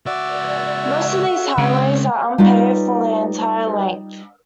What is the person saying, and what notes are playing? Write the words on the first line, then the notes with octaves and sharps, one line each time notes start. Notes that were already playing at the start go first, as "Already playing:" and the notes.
Most of these highways are unpaved for their entire length.
C#2 F#4 D5 E5
C#3 G#3 C4
G3 D#4 F4 B4 C#5